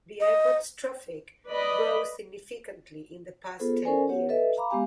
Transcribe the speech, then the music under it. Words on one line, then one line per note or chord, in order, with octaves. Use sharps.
The airport's traffic rose significantly in the past ten years.
D#5
B4 D5 D#5 B5
B3 F4 G#4 A4 C5
C#4 A4 A#4 C5 D5 G#5
B3 G4 C#5 F#5
A4 B4 D#5 E5
F5 A#5 B5 D6
G#3 B3 G4 F5 G#5